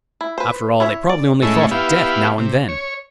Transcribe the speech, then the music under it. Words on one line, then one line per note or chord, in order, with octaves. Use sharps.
After all, they probably only thought of death now and then.
E4
B4 C5
E4 C#5 E5
D5
A2 G#3 A3 C#4 E4
B3 E4 G4 F5
C3
C#5